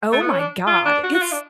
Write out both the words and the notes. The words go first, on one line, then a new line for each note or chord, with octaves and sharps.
"Oh, my god." It's
A3
B3
C#4
D4
F4
D4
F#4
F#4
F4
D4